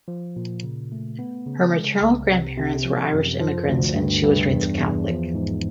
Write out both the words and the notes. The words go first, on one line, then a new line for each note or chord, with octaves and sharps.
Her maternal grandparents were Irish immigrants, and she was raised Catholic.
F3
A#2
C#3
A3
B3
C#3
G#3
C2
C3
C3
F3
F#2
F3
D2
G2
G2
E2
E2
F3
G#2